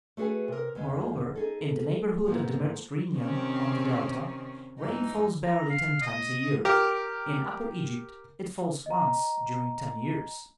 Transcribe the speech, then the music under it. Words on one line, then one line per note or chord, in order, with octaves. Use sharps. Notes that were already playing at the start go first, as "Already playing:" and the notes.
Moreover, in the neighborhood of the Mediterranean, on the Delta, rain falls barely ten times a year; in Upper Egypt it falls once during ten years.
A3 F#4 G#4 B4 G#5
C3 A#4
E2 G#3
D#4 G#4 A4
F2 G#2 F3 A#3 B3
C3 D#3 C4 C#4
G2 E3 D#4
A#5
F5
D#5
G4 A#4
D#5 A#5